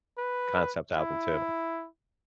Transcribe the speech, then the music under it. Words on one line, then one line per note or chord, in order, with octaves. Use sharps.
concept album too.
B4
E4